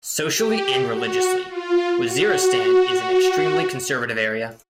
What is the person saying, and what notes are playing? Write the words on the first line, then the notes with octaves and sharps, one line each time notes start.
Socially and religiously, Waziristan is an extremely conservative area.
G4
F#4
F4
F#4